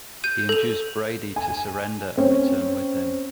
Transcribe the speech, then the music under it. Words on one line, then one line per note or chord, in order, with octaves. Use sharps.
He induced Brady to surrender and return with him.
G6 D#7
A4 F7
G#5
C4 C#4